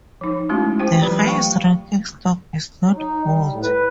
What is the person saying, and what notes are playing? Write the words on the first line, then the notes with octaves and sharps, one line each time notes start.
The highest ranking stock is not bought.
F3 D#4
G#3 A3 C#4 E4 F#4
F4 G4 C5 G5
E3 F#3 G4 B5
A3 F5 G5 C#6
F#3
D#4
G3
A2
B4